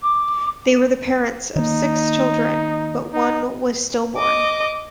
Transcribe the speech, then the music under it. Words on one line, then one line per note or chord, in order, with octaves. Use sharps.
They were the parents of six children, but one was stillborn.
D6
D#3 A#3 D#4
D#4
D#5 D6